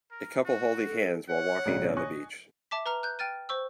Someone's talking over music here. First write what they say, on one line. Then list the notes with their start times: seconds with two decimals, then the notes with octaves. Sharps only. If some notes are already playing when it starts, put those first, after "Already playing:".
A couple holding hands while walking down the beach.
0.11 A#4
0.45 F#4
0.85 A4
1.28 C#5 F#5
1.66 A#1 G#2 C#3
1.97 D#5 G#5 C#6 F#6
2.71 E5 A5 D6 B6
2.86 B4 A#5 F6 F7
3.03 F#6 G6
3.19 G5 F6 A6 D#7
3.49 C5 C#6 E6